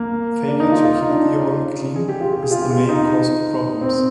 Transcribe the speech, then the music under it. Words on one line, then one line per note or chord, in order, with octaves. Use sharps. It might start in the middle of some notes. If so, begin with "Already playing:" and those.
Failure to keep the oil clean is the main cause of problems.
Already playing: A#3
D4
D#4
F4
F4
D#4
D4
G#4
G4
F4
G4
G#4
F4
G4
F4
D#4
C4